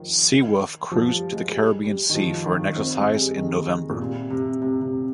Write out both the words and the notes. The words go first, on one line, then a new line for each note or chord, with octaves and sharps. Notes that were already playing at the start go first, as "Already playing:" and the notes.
"Seawolf" cruised to the Caribbean Sea for an exercise in November.
Already playing: D#3 F3
F3
G3
G#3
G3
G3
D#3
F3
D#3
C4
G#3
G3
D#3
A#2
C3
C3
C3
C3